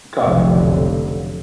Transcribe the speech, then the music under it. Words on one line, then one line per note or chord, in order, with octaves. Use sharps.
Got it.
F1 B1 D3 F3 F#3